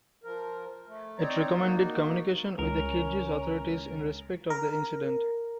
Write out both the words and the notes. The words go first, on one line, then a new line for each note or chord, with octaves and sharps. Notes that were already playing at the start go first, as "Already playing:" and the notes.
It recommended communication with the Kyrgyz authorities in respect of the incident.
F3 A#4
A3
C4 D#4 C#5 D5 A#5
A#3 D#4 F#4
C#2 C#4 A#4
A#4